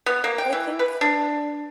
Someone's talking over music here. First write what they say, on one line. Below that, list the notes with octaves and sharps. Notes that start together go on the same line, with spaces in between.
I think,
B3
A#3
G5
E3
B4
D4